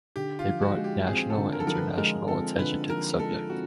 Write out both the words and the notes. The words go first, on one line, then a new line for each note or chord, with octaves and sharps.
They brought national and international attention to the subject.
D3 G4
F4
F3
F#4
G#3
G4
C4 G#4
A4
D3
A#4
A4
F3 A#4
B4
G#3 A#4
C4 A4
D3 B4
F3 A#4
G#3 A4
C4 F#4